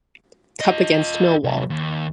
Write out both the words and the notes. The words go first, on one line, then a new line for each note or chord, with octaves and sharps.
Cup against Millwall.
F4 D#5
C3 F#3
D#2